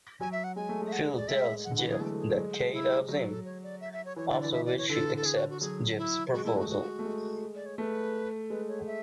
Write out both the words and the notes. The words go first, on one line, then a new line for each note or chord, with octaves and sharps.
Phil tells Jeff that Kay loves him, after which she accepts Jeff's proposal.
F#3 G#5
E5
F#5
G#3 G#5
A3
G#3
E5
F#5
D5
G#3 E5
F#5
D3
E3 F#5
F#3
G#4
G#3
A3 A4
G#4
F#3
G#3
E4
F#3 F#4
A4
C#5
D5
E5
E5
C#5
E3 C#5
D3 D5
D5
E3
E5
D5
C#5
D3 A4
A4
G#4
F#4
F#4
F#3 G#4
E4
G#3 F#4
A3 E4
G#3 F#4
F#4
A3
G#3
D5
C#5
A3 B4
G#3 B4
C#5
E5